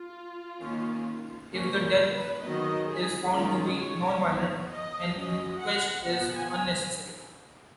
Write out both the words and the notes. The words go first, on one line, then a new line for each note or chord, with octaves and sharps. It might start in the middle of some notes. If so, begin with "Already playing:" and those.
If the death is found to be non-violent, an inquest is unnecessary.
Already playing: F4
D#3 A#3 C#4
F3 A#3 C#4 F#4
A#4
B4
D#3 F#3 B3 D#5
G#4
D#3 G#3 C#4 F4
C#5
F3 B3 C#5
D#5
F#3 C#4 D#5
F#5
F3 B3 F#5
G#5